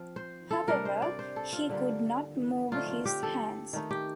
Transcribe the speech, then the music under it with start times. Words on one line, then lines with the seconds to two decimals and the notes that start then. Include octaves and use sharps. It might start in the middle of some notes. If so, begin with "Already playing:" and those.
However, he could not move his hands.
Already playing: F3 C4 F4
0.16 C5
0.51 A4
0.67 C3 G3 D4 A#4
0.85 C5
1.02 D5
1.19 C5
1.36 A4
1.53 F4
1.69 D3 G3 A#3 F4
2.71 D3 A3 C4 D#4 F4
2.88 F4
3.05 G4
3.23 A4
3.73 D#3 A3 D#4
3.91 G4